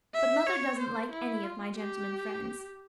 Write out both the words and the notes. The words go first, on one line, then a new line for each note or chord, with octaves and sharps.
But mother doesn't like any of my gentlemen friends.
E5
C#5
C5
E4
F4
G4